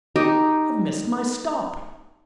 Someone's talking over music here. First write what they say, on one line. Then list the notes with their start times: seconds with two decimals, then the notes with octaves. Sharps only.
I've missed my stop.
0.16 D#4 G4 D#5